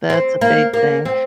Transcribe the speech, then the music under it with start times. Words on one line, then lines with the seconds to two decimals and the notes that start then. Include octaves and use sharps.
That's a big thing.
0.10 C4
0.41 A#3
0.73 A#3
1.05 C4